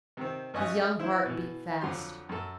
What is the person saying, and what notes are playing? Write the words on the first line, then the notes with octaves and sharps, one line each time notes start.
His young heart beat fast.
C3 D#3 C4
G#1 C#4 D#5 G#5 F#6
E4 C5
B2 E3
F2 D3 F3 F#3 C6
F#2 A4